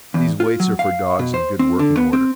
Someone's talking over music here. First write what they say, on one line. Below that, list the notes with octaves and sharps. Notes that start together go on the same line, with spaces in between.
These weights are for dogs in good working order.
E2
F4
F#3
F5
B2
C5
C4
D3
B3
C4